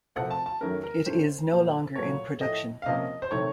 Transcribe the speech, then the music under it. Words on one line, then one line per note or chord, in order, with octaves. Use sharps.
It is no longer in production.
C3 F3 A3 C4 F#5
A5
A5
F#2 D#3 A3 C#4 A#4
A#4
A2 A3 C#4 C5
A#2 F#3 A#3
A#2 F#3 A3 C#5
A2 F3 A3 D#5
F5
C3 F3 A#3 C#4 D#5
C5
C3 D#3 A3 C#5